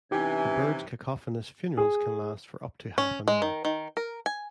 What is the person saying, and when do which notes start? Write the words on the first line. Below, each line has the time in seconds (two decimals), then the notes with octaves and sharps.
The birds' cacophonous "funerals" can last for up to half an hour.
0.11 C3 E3 C#4 D#4 G4 G#5 G#6
1.77 G#4
2.98 C#4
3.28 G#3
3.42 D#3
3.65 D#3
3.97 A#4
4.26 G#5